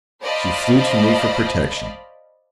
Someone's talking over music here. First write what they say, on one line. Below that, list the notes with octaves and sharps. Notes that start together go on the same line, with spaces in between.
She flew to me for protection.
C5 D5 D#5 F5 A5 B5